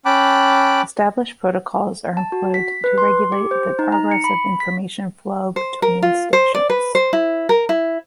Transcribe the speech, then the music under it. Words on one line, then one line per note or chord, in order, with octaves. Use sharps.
Established protocols are employed to regulate the progress of information flow between stations.
C#4 G5 A5 B5 D6 F#6
A5
F#4
B6
B4
C6
G4
C5
D#4
A#5
C#7
B5
B6
C5
A#4
F4
C5
D5
B4
C5
E4
A#4
E4